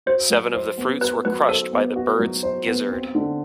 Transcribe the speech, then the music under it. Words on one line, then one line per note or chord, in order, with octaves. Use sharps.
Seven of the fruits were crushed by the bird's gizzard.
F#4 C5
F#3
C5
B3
F#4 B4
F#3 B4
A4 C5
B3
F#4
F#3
C5
B3
C4
D3